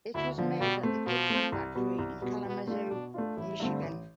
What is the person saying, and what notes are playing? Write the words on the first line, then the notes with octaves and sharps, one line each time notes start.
It was made at the Gibson Factory in Kalamazoo, Michigan.
D2 E4
D3 F3
B2 G3
A3 C4
B2 F3
A3 C4
C2
B2 G3 B3
C2
B2 G3 B3
B2 B3
A3 D4 F4
B2 D4
A3 D4 F4
A1 E4
G2 D3 A3 C4
A1